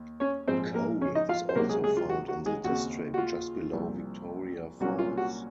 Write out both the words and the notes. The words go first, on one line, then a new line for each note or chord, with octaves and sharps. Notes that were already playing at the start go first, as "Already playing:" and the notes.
Coal is also found in the district just below Victoria Falls.
Already playing: D#2
C#4 C#5
A#1 G#2 F3 C4 C5
A#3 A#4
C#4 C#5
D#4 D#5
F4 F5
C5
C#2 C3 F#3 A#3 A#4
G#3 G#4
G#3 G#4
F4
F#4
F#4
G#3 G#4
D#2 C#3 G#3 C4 F#4
F#4
F4
C2 A#2 F3 C4
C2 A#2 F#3 A#3 C#4 F#4
F4
F#4